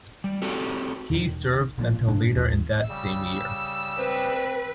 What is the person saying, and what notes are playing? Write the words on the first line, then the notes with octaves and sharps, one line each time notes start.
He served until later in that same year.
G3
C4 F#4 G4 A4
E1 D#3
A#1 A#2 D#3 F3
G2 C3 D4
A1 D#2 F3
C#3 G3 E6
C4 B4